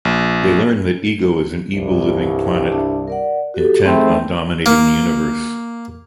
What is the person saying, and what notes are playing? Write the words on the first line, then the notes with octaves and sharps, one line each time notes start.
They learn that Ego is an evil living planet intent on dominating the universe.
A#1
C2 G2
D4 E5 A5
A#4 D5 F#5
F#4 G4 A4
D#3 A3 C4 G#4 B5 C6
A#3